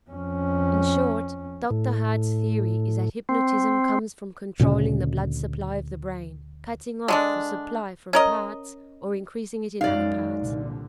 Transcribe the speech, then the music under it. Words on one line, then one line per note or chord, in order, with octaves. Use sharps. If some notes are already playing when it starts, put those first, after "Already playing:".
In short, Dr. Hart's theory is that hypnotism comes from controlling the blood supply of the brain, cutting off the supply from parts or increasing it in other parts.
F2 C#4
A2
C4
D2 A#2 C#3 C#4
D3 G#3 D4
C#4 A#4 D#5
F#2 F#3 G#3 D#4 D5 F5
C2 A#2 D3